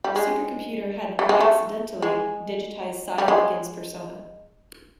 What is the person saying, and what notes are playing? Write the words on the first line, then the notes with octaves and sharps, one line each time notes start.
Supercomputer had "accidentally" digitized Sy Wickens' persona.
G3
G#3
G3
G#3
A3
G#3
G3
G#3